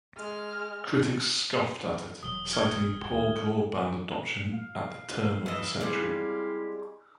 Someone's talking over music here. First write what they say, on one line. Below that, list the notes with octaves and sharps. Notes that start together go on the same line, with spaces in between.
Critics scoffed at it, citing poor broadband adoption at the turn of the century.
G#3 F6
E1 B2 F#3 D#6 G7
F6 G#6 G7
D2 D#3
F5
E3 B4 D#5 D#6 E6
G3 G#3 C4 E4 G4